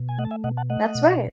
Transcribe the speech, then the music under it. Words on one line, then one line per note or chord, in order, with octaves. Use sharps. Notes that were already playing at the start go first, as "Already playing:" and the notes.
That's right.
Already playing: B2
G#5
A3 D#5 F#5
A5
E5 G#5
B2 D#5 F#5
F#5 A5
A3 D#5 F#5
B2